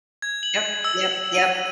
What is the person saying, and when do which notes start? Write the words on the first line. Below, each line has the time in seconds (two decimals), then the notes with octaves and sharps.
Yep, yep, yep.
0.22 G#6
0.43 F#7
0.84 E6
1.35 D#7